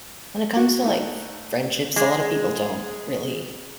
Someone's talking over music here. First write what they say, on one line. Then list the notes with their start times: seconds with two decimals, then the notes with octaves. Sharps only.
when it comes to, like, f friendships, a lotta people don't really
0.56 F#4
0.82 A3 D#4
1.96 G#3 G#4